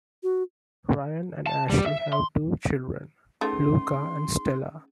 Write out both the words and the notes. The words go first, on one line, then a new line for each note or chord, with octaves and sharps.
Ryan and Ashley have two children, Luca and Stella.
F#4
A5
G3
E5
C6
A3 C#4 D#4 G#4 C6